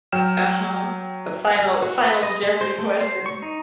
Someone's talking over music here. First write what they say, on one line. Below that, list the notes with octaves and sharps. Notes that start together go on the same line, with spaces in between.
Uh-huh. The final final Jeopardy question.
F#3 G5 F6 E7
F#4
B4
D#5
G#3
C5
A3
C5
C#6
D#4